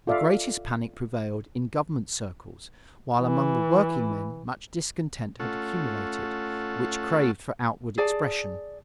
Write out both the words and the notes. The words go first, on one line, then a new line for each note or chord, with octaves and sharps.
The greatest panic prevailed in government circles, while among the workingmen much discontent had accumulated, which craved for outward expression.
F4 A4 D5 E5 F5
E3
A3 C#4 F4 A4 F#5
G#4 D5 A5